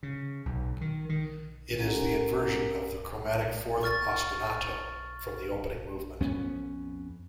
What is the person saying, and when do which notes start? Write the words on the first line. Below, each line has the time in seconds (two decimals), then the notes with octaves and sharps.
It is the inversion of the chromatic fourth ostinato from the opening movement.
0.03 C#3
0.46 B1
0.81 D#3
1.09 D#3
1.77 C#4 G4 A#4 F#5 G#5 A#5
3.83 C#6 F6 A6
6.20 F2 B3 C#4